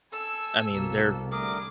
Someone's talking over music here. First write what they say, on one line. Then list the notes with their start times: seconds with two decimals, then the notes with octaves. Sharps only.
I mean, they're
0.12 A4 G#5 E6
0.71 C2 B2 A#3
1.32 D3 G3 A3 G#4 A#4 D6